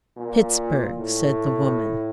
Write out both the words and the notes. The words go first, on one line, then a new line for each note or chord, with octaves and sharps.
"Pittsburg," said the woman.
A#2
A2